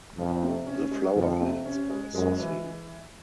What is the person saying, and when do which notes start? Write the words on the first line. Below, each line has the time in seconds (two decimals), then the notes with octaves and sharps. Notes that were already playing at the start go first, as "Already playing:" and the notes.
The flower heads are sessile.
0.18 F2 F3
0.43 C3
0.67 C#4
0.91 G#3
1.16 F2 F3
1.41 C3
1.66 C#4
1.90 G#3
2.15 F#2 G#3
2.40 E3